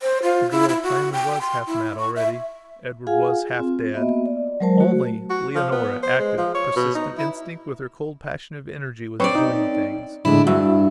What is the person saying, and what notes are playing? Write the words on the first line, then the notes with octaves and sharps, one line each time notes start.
The girl, plainly, was half-mad already; Edward was half dead; only Leonora, active, persistent, instinct with her cold passion of energy, was "doing things".
C5
F4
E4
E4
F#4
G5
C6
E4
C#6
E5
F4 G#4 F5 F#5 G#5
C4 F4
A#3 B3 F#4 D#5 E5
D5
F#3 G#3 A#4 C5 A5
A3 F#4
F#4
F3
B3
C5
G#3
F3
C#5
B2
D#4
E4
C4 C#4 B4 C#5 D5 C#6
D#4
A2 D3 G#3 D4 E4
G2 E4 F#4 E5